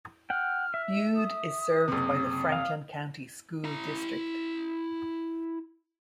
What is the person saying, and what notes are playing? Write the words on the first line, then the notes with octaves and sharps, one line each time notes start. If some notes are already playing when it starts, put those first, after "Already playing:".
Bude is served by the Franklin County School District.
F#5 G5 F6
E5
D#6
F#1 C3
F5
E4 A#5